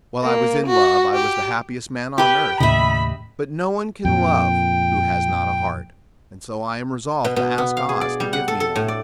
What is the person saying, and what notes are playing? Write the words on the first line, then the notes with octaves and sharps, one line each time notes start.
While I was in love I was the happiest man on earth; but no one can love who has not a heart, and so I am resolved to ask Oz to give me one.
A#3
F#4
G4
G4 B4 G5
D#2 A2 C#3 D#5 E5 B5
F2 A#2 G5
B2
B2
B3
F5
G#4
D5
G3
F#5
A4
A4
A2
D5